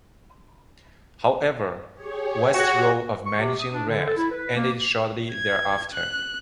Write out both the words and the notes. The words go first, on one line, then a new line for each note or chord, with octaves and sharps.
However, West's role of managing Red ended shortly thereafter.
G4 G#4 C#5
F#4
C#6
C3
D#6
D4
D3
A4
E4
B4
A#3
G#6
F#6